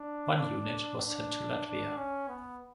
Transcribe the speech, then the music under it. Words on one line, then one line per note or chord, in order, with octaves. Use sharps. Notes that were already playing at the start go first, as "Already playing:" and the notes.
One unit was sent to Latvia.
Already playing: D4
D4
D4
C#4
B3